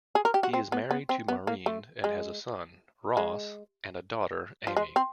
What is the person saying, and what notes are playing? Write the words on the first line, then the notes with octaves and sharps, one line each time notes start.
He is married to Maureen and has a son, Ross and a daughter, Amy.
G#4
A#4
G4
F#4
C4
B3
B3
C4
B3
A#3
A3
G#3
G#3
F3
G#3
C4